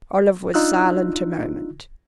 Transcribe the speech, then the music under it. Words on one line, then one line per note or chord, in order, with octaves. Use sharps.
Olive was silent a moment.
D4 D#4 F4 E6 F#6